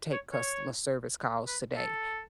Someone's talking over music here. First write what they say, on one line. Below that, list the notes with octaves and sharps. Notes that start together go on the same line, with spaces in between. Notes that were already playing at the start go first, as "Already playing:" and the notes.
take customer service calls today,
C#5
C#5
B4
A4